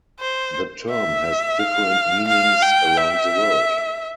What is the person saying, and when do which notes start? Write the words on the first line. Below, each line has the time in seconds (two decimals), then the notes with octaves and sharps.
The term has different meanings around the world.
0.20 C5
0.90 E5
1.59 F5
2.28 F5
2.62 G5
2.97 E5